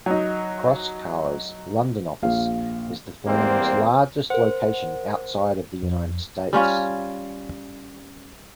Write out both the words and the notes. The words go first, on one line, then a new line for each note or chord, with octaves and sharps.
Proskauer's London office is the firm's largest location outside of the United States.
F#3 D#4
A#1 F5
E2 G3 A#3 C4 C5
A#4 C5 F#5
F2
G3 C#4 F4 C#5